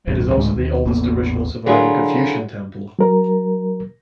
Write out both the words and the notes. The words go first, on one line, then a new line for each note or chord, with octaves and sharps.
It is also the oldest original surviving Confucian temple.
A1 E2 G2
D2 A2 D3 G#3
D#2
A1 E2 A#3 B3
D3 F#3 E4 F4 G#4 A#4
F#3 A#4